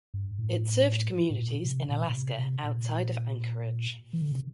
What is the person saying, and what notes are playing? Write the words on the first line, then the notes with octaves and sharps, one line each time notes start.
It served communities in Alaska outside of Anchorage.
G2
A2
A2
A#2
C3
A#2
A#2
C3
C3
A#2
E3
D3
C3